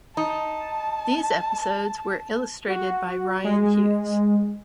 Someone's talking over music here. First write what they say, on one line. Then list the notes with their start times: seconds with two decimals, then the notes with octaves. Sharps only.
These episodes were illustrated by Rian Hughes.
0.17 D#4 A5
2.68 F#4
3.44 G#3